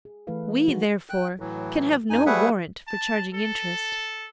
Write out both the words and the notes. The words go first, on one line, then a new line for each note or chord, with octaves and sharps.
We, therefore, can have no warrant for charging interest.
G#4
E3 A3 E4 A4 B4 F5
F3 D#4 F#4 G#4
G5 F#6
A2 E3 F#3
F#2 D#4 G#5
G3 A3 G#4 B4 E5 F#5
A5
A4